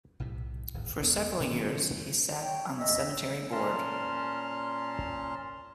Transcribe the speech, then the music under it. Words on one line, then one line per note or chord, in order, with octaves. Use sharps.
For several years, he sat on the cemetery board.
B1 A2 C3
D1 G#1 E2
E1 D2 B3
B2
D#3 F#3 C4 C#4
C#5 G5
D#5 E5
A#2 C#4 A5 A#5 C6 F6